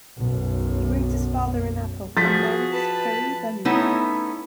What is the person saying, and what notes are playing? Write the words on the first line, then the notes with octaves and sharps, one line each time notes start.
He brings his father an apple and marries Peri-Banu.
B1 F#2
F3 F#4 G#4 A6 B6
B4 A5
A3 B3 C#4 D#4 E4